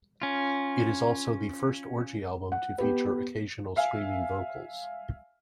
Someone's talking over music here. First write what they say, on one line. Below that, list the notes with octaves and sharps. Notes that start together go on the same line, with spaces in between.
It is also the first Orgy album to feature occasional screaming vocals.
C#4 F4
F#5
B3 G4 B4
E5 F5 G#5